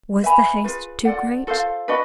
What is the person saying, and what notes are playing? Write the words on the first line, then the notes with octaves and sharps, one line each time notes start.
Was the haste too great?
B4 E5 G#5 B5
F4 G#4 B4
F4 A4 D5 F#5
F4 A4 C5 F5
D4 F#4 B4 D#5